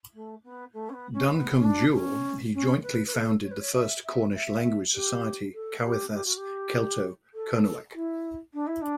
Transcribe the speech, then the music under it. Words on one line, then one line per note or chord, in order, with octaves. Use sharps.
Duncombe-Jewell he jointly founded the first Cornish language society, "Cowethas Kelto-Kernuak".
A3
B3
A3
C#4
B3
C#4
B3
C#4
D4
C#4
C#4
B4
B4
A4
C#5
B4
C#5
E5
E5
E5
G4
A4
G4
G4
F#4
G4
A4
E4
D4
E4
D4